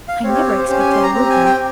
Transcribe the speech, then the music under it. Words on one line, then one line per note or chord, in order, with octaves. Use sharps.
I never expected I would, though.
F5
C4 G4 C#5
C#5
C#5
C5
C#4 G4 C5
G#5
C6
A#5
C4 G4 A#5
G#5
G5